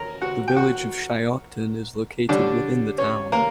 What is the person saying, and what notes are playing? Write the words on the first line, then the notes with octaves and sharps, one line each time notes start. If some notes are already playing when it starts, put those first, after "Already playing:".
The village of Shiocton is located within the town.
Already playing: C#4 A#4 A#5
F#4 F#5
G5
F#4 F#5
D3 G3 C#4 D4 D5
C#4 C#5
A#3 A#4